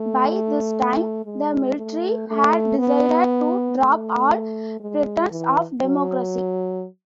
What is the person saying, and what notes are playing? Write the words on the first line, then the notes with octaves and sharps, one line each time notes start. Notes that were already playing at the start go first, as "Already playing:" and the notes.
By this time, the military had decided to drop all pretense of democracy.
Already playing: A3
G#3
A3
A3
B3
A3
G#3
E3
F#3